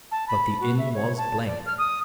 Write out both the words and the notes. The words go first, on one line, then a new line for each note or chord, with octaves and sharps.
But the inn was blank.
A5
B5
F#4
E5
C#5
A5
D5
F6
D#6